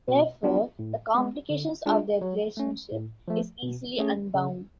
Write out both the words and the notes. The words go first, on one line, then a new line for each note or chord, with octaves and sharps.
Therefore, the complications of their relationship is easily unbound.
B2
F#3 B3 D4 F4
A2
G#3 B3
D3
G#3 D4 F4 G#4
F#3
A3 C#4
A2
F3 A3
B2
A3 C#4 G#4
C#3